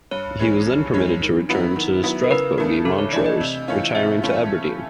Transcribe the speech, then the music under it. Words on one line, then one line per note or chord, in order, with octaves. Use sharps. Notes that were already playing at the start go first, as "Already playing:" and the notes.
He was then permitted to return to Strathbogie, Montrose retiring to Aberdeen.
G2 C#5
E3 G#3 C#4
G2
E3 G#3 C#4
D#3
F#3 B3 E4
D#3
F#3 B3 E4
A#4
C#3 B4
E3 A3 D4 A#4
C#3 A4
C#5
E3 A3 D4 D5
D#5
C3
E3 A3 C#4 F4
C3 E5
E3 A3 C#4 F4